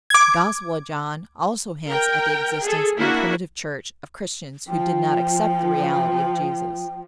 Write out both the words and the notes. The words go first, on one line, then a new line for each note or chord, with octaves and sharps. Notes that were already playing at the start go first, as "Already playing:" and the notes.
The gospel of John also hints at the existence in the primitive church of Christians who did not accept the reality of Jesus.
D6 G#6
A#4 G5
G#4 A4
A#3 D4 E4 F#4
F3 G5